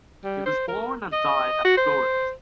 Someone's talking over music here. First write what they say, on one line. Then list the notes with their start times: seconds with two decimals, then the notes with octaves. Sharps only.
He was born and died at Florence.
0.24 G3
0.46 C5
0.68 A#4
1.12 D#5
1.65 F#4
1.77 C5